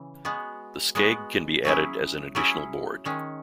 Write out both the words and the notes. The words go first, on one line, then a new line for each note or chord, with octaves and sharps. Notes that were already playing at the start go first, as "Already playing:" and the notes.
The skeg can be added as an additional board.
Already playing: C#3 E3
G#3 B3 F#4
G#3 B3 F#4
F#3 C#4 E4 G#4
F#3 C#4 E4 G#4
D#3 G#3 C#4